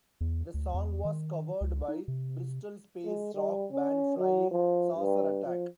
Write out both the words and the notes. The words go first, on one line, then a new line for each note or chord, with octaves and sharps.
The song was covered by Bristol space rock band Flying Saucer Attack.
E2
D2
E2
D#3
C#2
D#4
C3
G#3
G3
C#4
F#3
F3
G2
F3